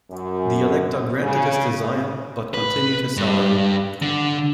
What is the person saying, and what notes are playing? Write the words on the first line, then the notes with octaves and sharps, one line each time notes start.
The elector granted his desire, but continued his salary.
F#2
C#3
B4
G2
D3